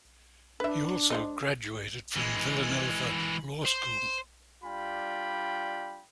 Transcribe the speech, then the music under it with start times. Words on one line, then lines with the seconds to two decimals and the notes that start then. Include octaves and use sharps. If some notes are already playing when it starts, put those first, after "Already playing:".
He also graduated from Villanova Law School.
0.60 D4 B4 E5
1.10 G#3 C5 D#5
2.16 E3 G#3
3.65 C5
4.64 G3 D4 F4 G5 B5